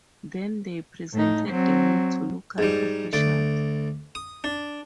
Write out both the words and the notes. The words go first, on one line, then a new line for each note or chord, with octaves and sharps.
Then they presented the wood to local officials.
A2 D#4
F#3 C4
G#2 G3
D2 D5
D#6
D4